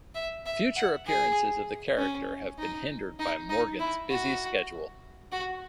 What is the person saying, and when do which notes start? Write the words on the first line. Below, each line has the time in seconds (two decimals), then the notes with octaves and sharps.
Future appearances of the character have been hindered by Morgan's busy schedule.
0.15 E5
0.46 E5
0.76 F#5
1.07 G#4
1.97 C#4
2.58 D#4
3.19 D#4
3.50 D#4
3.80 E4
4.10 F#4
5.32 F#4